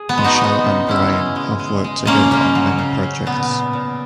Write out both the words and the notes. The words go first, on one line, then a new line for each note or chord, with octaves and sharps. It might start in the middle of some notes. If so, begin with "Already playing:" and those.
Michelle and Brian have worked together on many projects.
Already playing: G#4
B3
G#3
D#4 F#4
G#3
C#3
C#3 C#4 E4
G#3
G#3
G#3
G#3
G#3 A#3 C#4
C#3 A#3
F#3
C#3
C#3
A#2 B3
A#2
A#2